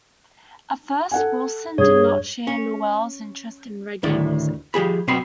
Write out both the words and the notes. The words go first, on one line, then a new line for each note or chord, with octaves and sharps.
At first, Wilson did not share Nowell's interest in reggae music.
A4 F#5 G#5
G2 G#4 C#5
C#4
D2 A2 D#3 E4 D5
F3 G4 G#4 B5
B1 B2 B3 C4 B5 C6